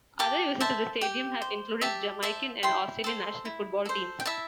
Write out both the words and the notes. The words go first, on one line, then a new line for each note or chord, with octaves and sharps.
Other users of the stadium have included the Jamaican and Australian national football teams.
G4 A5 D6
C5 E5 A5
G4 G5
C5
G4 E5 A5
C5 E5 A5
E4 G5 C6
A4 C5
E4
A4 C5
G5
E4 E5 A5